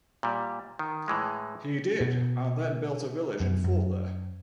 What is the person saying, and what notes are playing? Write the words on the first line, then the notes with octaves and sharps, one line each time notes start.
He did and then built a village and a fort there.
A#2 G3
D#3
A2 E3 G#3
B2
F#2
F#2